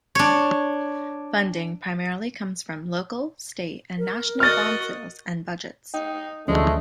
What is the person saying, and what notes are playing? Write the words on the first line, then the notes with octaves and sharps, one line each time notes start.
Funding primarily comes from local, state, and national bond sales and budgets.
D4 C#5
A#4
F#4 D#5 F6 A6
D#4 G5
D2 E3 F3 G#3 A3 C#4